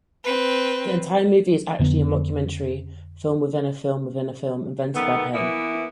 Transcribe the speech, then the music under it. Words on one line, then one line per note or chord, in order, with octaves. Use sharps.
The entire movie is actually a mockumentary film-within-a-film-within-a-film invented by Penn.
C4 B4
F2 D3 B3
D#3 A3 B3
E3 A#3 B3 E4